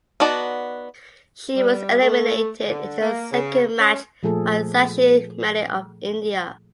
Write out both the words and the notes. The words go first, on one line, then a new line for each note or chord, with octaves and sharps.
She was eliminated in her second match by Sakshi Malik of India.
B3 D#4 F#4 D5 A5
G3
A3
D3
A#3
C#3
C#4
A#2 F3 A3 G#4 A4